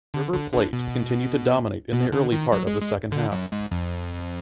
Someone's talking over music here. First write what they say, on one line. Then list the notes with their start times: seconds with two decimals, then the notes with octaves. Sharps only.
River Plate continued to dominate in the early part of the second half.
0.14 D3
0.33 D3
0.53 D3
0.73 B2
1.93 B2
2.12 D3
2.32 D#3
2.52 F#3
2.67 G#3
2.82 G#3
3.12 D3
3.32 F#2
3.52 G#2
3.71 F2